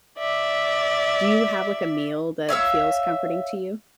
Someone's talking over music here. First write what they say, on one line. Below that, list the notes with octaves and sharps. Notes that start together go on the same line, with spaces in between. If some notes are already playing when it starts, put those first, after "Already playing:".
do you have, like, a meal that feels comforting to you?
D5 E5
C#5 E5 F5 E6